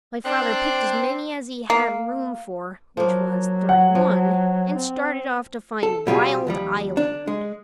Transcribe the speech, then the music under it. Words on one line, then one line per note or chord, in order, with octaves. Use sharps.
My father picked as many as he had room for, which was thirty-one, and started off to find Wild Island.
C4 D4
A#3
F3 F#3 A#3
F#5
F3
C4
A4
B2 G3 F4 G#4
D#2 F3 G3
D4
G#3